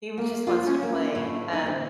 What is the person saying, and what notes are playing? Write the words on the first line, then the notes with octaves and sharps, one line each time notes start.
He was just wants to play. Um,
A#3
F4
C#4
A#3
A2
D#4
C4